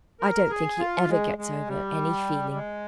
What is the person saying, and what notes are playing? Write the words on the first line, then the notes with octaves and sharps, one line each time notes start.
I don't think he ever gets over any feeling.
A#4
G#4
F4
G#3
G#3
G3
G#3